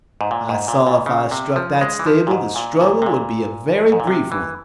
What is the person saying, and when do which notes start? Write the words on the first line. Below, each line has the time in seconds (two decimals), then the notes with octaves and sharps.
I saw if I struck that stable the struggle would be a very brief one.
0.21 G#2
0.31 A#2
0.49 G#2
0.68 A#2
0.87 A#2
1.06 C#3
1.31 C3
1.56 F3
1.81 G#3
1.99 E3
2.06 F3
2.27 A#2
2.31 G#2
2.56 A#2
2.81 A#2
3.02 C3
3.06 A#2
3.92 G#2
4.00 A#2
4.07 C3
4.32 E3